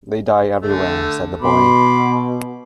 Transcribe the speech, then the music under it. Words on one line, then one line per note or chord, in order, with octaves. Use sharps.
"They die everywhere," said the boy.
D3 A3
B2 B5 C6 D6